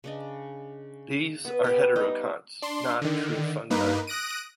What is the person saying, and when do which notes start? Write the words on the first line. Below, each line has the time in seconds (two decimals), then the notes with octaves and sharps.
These are heterokonts, not true fungi.
0.04 C#3 D4 D#5
1.45 B3 B4
1.64 B3 G4
1.96 G3 D#4 G4 D#5
2.62 D4 C6
3.02 D3 D#3
3.70 G2 A#3 D#4 B4
4.07 D#6 F#6 A#6 D7 D#7